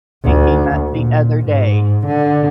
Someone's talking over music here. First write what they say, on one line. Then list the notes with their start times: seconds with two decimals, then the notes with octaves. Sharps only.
thinking that the other day.
0.24 D2
0.90 A#2
1.46 G#2
2.06 D3